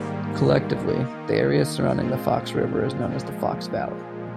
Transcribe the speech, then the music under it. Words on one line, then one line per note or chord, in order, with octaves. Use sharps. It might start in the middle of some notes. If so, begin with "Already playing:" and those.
Collectively, the area surrounding the Fox River is known as the Fox Valley.
Already playing: G#2 D#3 G3 A#3
D#3 A#3 D#4
A#2 G#3 C4 F4
A#2 F3 G#3